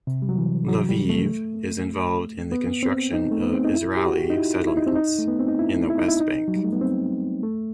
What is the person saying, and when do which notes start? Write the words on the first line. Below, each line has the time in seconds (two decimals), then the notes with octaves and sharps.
Leviev is involved in the construction of Israeli settlements in the West Bank.
0.07 C3
0.22 G3
0.29 F#3
0.38 E3
0.68 F#3
0.89 G3
1.09 A3
2.52 B3
2.83 C4
3.14 D#4
3.31 A3
3.42 B3
3.53 C4
3.65 D#4
3.75 E4
3.97 G4
4.06 F#4
4.30 D#4
4.37 E4
4.67 E4
4.77 D#4
4.86 C4
4.95 D#4
5.18 A3
5.28 B3
5.39 C4
5.48 D#4
5.59 E4
5.90 E4
5.98 D#4
6.08 E4
6.20 D#4
6.48 F#3
6.56 G3
6.64 A3
6.73 B3
6.81 C4
7.43 A3